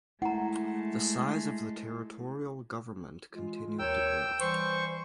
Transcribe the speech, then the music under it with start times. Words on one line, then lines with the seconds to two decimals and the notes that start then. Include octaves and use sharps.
The size of the territorial government continued to grow.
0.22 G#3 A3 E4 F#5 A#5
3.33 E3 G#3 F4
3.79 D#2 A#4 C#5 G5 E6
4.40 E3 G3 C5 C#6